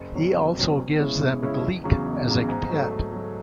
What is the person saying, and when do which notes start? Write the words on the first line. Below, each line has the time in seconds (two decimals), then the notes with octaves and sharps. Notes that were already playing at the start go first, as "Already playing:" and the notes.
He also gives them Gleek as a pet.
Already playing: F#1
0.14 E2 C3 F#3 C#4
0.35 F#1
0.57 E2 C3 F#3 C#4
0.78 E2
0.99 C#3 G#3 C#4 E4
1.21 E2
1.42 C#3 G#3 C#4 E4
1.63 E1
1.84 E2 C#3 F#3
2.06 E1
2.27 E2 C#3 F#3
2.49 G#2
2.69 F#3 A3
2.90 G#2
3.12 F#3 A3